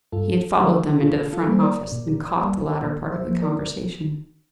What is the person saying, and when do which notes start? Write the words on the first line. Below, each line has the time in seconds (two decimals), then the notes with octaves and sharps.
He had followed them into the front office, and caught the latter part of the conversation.
0.12 G2 F4 A4
0.58 D3 F3 A3 E4 G4
1.02 A#2 F4 A4
1.33 F4 A4
1.48 G3 A#3 C5
1.62 A#4 D5
1.92 A#2
2.37 G3 A#3
2.82 A#2
3.12 C5 E5
3.28 F3 A#3
3.42 A#4 D5